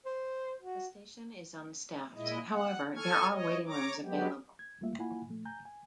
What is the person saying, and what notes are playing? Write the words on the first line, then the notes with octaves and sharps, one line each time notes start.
The station is unstaffed however there are waiting rooms available.
C5
F#4
A#2 G#3 E4 D#5
F#5
A4 G#5 C#6 F6 G#6
C#5 D#5
C#5 A#5 D6
F#3 G#3 B3 G4
G#6
C2 G3 A3 A#3 F4 E5
A#3 E4 F4 F#5 G#5 B5
A#2 F3 A3
G#5 A#5 G6
G#5